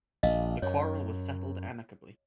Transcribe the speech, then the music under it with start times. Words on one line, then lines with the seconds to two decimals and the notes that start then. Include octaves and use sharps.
The quarrel was settled amicably.
0.23 A#1 D#5 F5
0.62 F#2 C#5